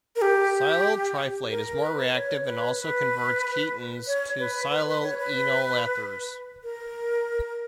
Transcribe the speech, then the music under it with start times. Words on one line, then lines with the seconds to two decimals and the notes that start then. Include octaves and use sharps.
Silyl triflate is more reactive and also converts ketones to silyl enol ethers.
0.16 A#4
0.22 G4
1.50 A#4
1.82 B4
2.14 C#5
2.46 B4
2.79 B4
4.07 C#5
4.39 B4
4.71 B4
4.87 B4
5.03 C#5
5.19 B4
6.64 A#4